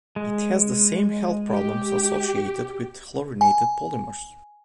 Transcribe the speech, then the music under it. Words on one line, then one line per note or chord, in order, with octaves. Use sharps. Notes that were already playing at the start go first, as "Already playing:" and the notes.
It has the same health problems associated with chlorinated polymers.
G#3
G4
G#5